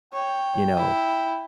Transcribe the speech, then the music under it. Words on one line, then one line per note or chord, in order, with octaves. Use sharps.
you know,
C#5 G5
E4